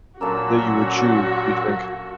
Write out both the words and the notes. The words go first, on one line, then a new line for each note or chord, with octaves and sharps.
that you would choose, do you think?
A#2 F#3 A#3 C#4 D4 F#4 A4 E6